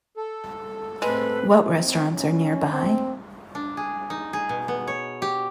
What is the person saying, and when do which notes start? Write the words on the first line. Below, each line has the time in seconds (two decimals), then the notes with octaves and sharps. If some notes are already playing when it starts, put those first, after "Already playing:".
What restaurants are nearby?
0.17 A4
1.02 A2 G#3 C4 B4
1.76 C4
2.13 C#4
2.73 C4
3.55 D4
3.77 G#4
4.10 D#4
4.33 G#4
4.49 B2
4.68 B3
4.87 C#5
5.22 G4